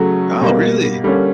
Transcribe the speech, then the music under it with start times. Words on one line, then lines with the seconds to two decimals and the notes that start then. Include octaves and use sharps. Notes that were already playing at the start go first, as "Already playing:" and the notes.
Oh, really?
Already playing: C#3 F#3 A3
0.41 B2 G3 A#3
1.04 D3 G3 A#3 C#4